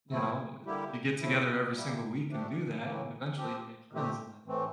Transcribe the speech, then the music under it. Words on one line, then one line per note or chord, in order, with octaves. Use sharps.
you know, you get together every single week and do that, and eventually you make friends, and that's
A2 F3 A3 C4 E4
D3 G3 A#3 E4 G4
A2 F3 A3 E4
G3 A#3 E4 G4
F3 A3 D4 G4
A2 E3 A#3
F3 C4 G4
A#2 A3 C4 G4
A2 E3 A3 C4